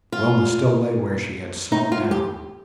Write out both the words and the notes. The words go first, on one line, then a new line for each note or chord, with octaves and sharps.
Wilma still lay where she had slumped down.
F4
D#4
F4
G4